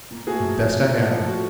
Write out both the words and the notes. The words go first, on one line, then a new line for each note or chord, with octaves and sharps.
"The best I have."
A#2
A3 F#4 G#4
F3
A#2
A#2
A3
F3
F#4